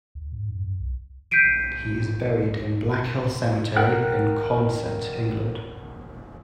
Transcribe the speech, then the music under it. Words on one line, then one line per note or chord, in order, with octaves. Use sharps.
He is buried in Blackhill cemetery in Consett, England.
D2
G#2
F#2
F#2
C2
G6 B6 C7 D7 D#7
A#4 F#5 G5 F#6